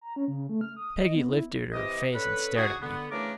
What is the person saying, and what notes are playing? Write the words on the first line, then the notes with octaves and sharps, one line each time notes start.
Peggy lifted her face and stared at me.
A#5
C#4
C#3
A3
F6
D#6
D#5
B3
E4
C3 E3 G4 D#5
D3 C#4 A4 B4
D4 F#4 G#4
D3 B3
C#3 E3 A3 D4 A#4 D6